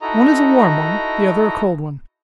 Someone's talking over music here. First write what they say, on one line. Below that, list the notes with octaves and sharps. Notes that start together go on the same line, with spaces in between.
"One is a warm one, the other a cold one!"
D#4 E4 F#4 A4 D#5 A#5